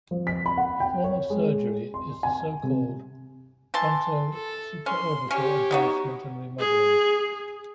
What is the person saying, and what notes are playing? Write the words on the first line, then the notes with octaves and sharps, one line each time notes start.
A form of surgery is the so-called fronto-supraorbital advancement and remodelling.
F3
B6
B5
F#5
G5
C#5
G#3
C6
G#5
C3
E3 A5 C6
A4
C#4 C6
C#4 G4 C#5
B3 D#4 F#4
G#4